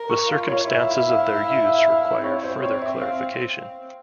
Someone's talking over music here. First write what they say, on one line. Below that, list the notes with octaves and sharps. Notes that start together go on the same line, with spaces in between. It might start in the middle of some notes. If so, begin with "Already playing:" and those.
The circumstances of their use require further clarification.
Already playing: A#4
C#6
F4 F5
C#5
E4 E5
F5
E5
F5
E5
F5
E5
F5
E5
F5
E5
C4 C#5
C5
C#5
E5
F5